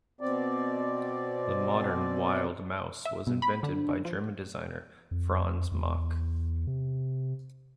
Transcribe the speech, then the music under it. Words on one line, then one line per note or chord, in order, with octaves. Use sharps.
The modern Wild Mouse was invented by German designer Franz Mack.
B2 C4 D5
E5
B2
B5
D3
D3
F3
F2
E2
C3